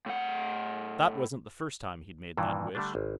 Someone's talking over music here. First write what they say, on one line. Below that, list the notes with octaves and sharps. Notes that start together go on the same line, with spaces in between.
That wasn't the first time he'd made that wish.
A2 F#5
G2 A#2 D#3 E3
D3 G3 A3 D4
G#1